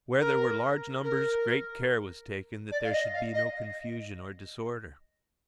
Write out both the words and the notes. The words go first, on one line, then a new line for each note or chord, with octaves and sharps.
Where there were large numbers great care was taken that there should be no confusion or disorder.
A#4
A#4
D5
F5
D#5
F5
D#5